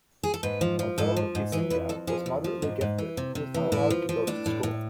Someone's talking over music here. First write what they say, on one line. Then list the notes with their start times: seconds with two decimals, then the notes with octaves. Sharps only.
Although Eisinga was moderately gifted, he was not allowed to go to school.
0.23 G#4
0.34 A4
0.43 G#2 B4
0.61 F3
0.79 F3
0.98 G#2 A4
1.17 F3
1.35 G#2
1.52 E3 G#4
1.70 F2 B4
1.89 F2 A4
2.07 F3 G#4
2.26 F2
2.44 F3
2.62 G#2
2.81 G#2
2.98 E3
3.17 C3
3.35 C3
3.54 E3
3.72 A2 E4
3.90 F3
4.09 F3
4.27 A2 D4
4.46 A2
4.63 A2